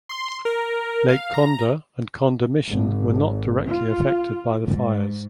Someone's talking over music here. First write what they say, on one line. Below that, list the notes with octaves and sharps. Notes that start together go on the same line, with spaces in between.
Lake Condah and Condah Mission were not directly affected by the fires.
C6
A#4
F5
A#5
G#1
F4
G#2